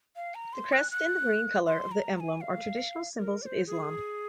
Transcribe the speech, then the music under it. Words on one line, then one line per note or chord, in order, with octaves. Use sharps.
The crest and the green colour of the emblem are traditional symbols of Islam.
F5
A#5
C6
F#6
F#6
C6
A#5
A#5
G#5
F5
A#4
D5
C5
G#4